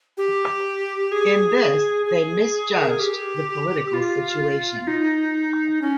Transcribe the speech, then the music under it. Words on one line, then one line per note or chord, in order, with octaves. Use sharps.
In this, they misjudged the political situation.
G4
G#4
G#4
A#4
G#4
G4
F4
D#4
C#4